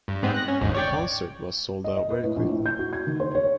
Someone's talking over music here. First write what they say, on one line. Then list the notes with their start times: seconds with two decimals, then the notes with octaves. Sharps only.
The concert was sold out very quickly.
0.08 G2
0.23 G#2 B3 C4
0.34 F#6 A#6
0.48 C#4
0.61 G1 D#2 G#2
0.75 C#5 D5 G5
1.84 D#5
1.96 D#5
2.10 B4
2.24 A2
2.36 A#1
2.49 A2
2.66 G6
2.79 F#4
2.93 G#6
3.07 D#3
3.20 C5
3.35 C#5